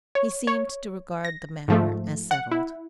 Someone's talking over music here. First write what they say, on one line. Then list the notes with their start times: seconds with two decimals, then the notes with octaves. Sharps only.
He seemed to regard the matter as settled.
0.15 C#5
0.47 C#5
1.25 A#6
1.68 G#2 F3 A3
2.31 F#5
2.51 E4